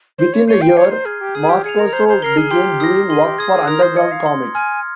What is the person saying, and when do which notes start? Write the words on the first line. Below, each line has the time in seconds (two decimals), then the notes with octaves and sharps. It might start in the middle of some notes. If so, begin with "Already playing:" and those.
Within a year, Moscoso began doing work for underground comix.
0.18 C5 C6
0.33 C#5
0.48 C#5 G6 C7 D#7 G7
0.62 G5
0.76 C#5 A#5
0.91 C5
1.05 G#4 F6 G#6
1.21 G4
1.35 G#4 D#6
1.49 G4
1.64 G#4 G#6 C#7 F7
1.79 A#4
1.93 C5 A#5
2.08 C5
2.22 A#4 F6 C7 G7
2.37 G#4
2.51 G4 C6
2.80 D#6 A#6
3.09 G#4 C6
3.24 G4
3.38 G#4 D#6 G#6
3.53 G#4
3.67 A#4 D#6
3.82 C5
3.96 D#5 G#6 C#7
4.12 F5
4.26 C6
4.55 G#5 F6 G#6